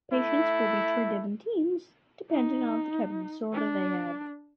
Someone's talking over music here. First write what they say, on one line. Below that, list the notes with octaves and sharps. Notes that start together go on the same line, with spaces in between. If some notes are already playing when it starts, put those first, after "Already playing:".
Patients will be treated in teams, depending on the type of disorder they have.
A3 E4
D#4
D4